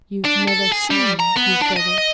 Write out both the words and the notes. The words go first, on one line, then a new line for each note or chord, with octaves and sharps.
"You've never seen his brother?"
D4
A4
G#4
G3
A#5
B3
D4
D#5
D#5